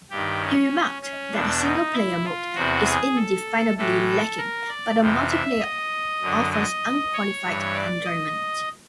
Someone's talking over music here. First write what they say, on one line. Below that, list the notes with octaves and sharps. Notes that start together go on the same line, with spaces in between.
He remarked the single-player mode is indefinably "lacking" but the multiplayer offers unqualified enjoyment.
G2 D#3 G4
C#4
C#4
E2 B2 D4
D#4
E4
F4
E2 C3 E3 F#4
G#4
A4
A2 E3 A4
A4
A#4
D5
F2 C3 E3
E5
D#5
F#2 D3
D#5
C#5
G2 E3
D5
D#5